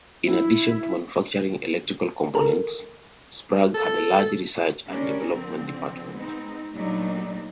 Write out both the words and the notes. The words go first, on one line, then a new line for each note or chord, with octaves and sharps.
In addition to manufacturing electrical components, Sprague had a large research and development department.
E4
A4 A#4
A4
G3 C#4 D4 A#4
D3 F3 C4
G#3 B3 C4 D#4
A#2 F#3 G3 A3 D4 D#4